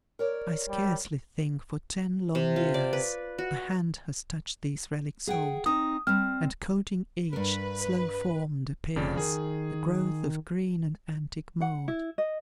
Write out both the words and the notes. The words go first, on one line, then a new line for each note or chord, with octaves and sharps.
I scarcely think, for ten long years, A hand has touched these relics old; And, coating each, slow-formed, appears The growth of green and antique mould.
A#4 C#5 D5
G3
C3
F4
D5
B4
F#4
G#4 F#5 G5
C4 D#4 D#6
G3 C4 F6
G2 A#4 B4
F1 F2 C#3 D5
D#3 G#4
F#5
E4
D#5